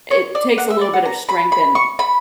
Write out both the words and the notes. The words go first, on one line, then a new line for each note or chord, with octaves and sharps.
it takes a little bit of strength and
C#5
D5
F#5
E5
D5
F#5
A#5
B5
B5
C#6
B5